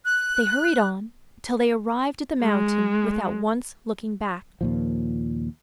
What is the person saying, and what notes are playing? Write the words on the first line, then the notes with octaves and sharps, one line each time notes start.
They hurried on till they arrived at the mountain without once looking back.
F#6
G#3
D#2 A#2 F3